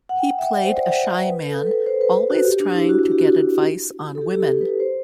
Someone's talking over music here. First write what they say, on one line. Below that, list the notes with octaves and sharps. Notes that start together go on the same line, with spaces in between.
He played a shy man, always trying to get advice on women.
F#5
G5
F#5
E5
D5
C5
D5
B4
A4
A4
B4
C5
B4
F#4
G4
D4
E4
F#4
F#4
G4
F#4
A4
G4
G4
A4
B4
C5